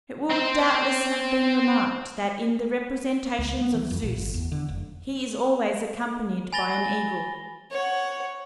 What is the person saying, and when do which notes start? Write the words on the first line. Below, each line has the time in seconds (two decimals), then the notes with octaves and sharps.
It will doubtless have been remarked that in the representations of Zeus he is always accompanied by an eagle.
0.30 C4 C5
3.38 C#2
3.61 B3
3.74 E3
3.91 F2
4.02 A#1
4.17 G1
4.34 E2
4.52 D3
4.69 F1
6.53 G#5 B5 A6 A#6 G7
7.71 C#5 F#5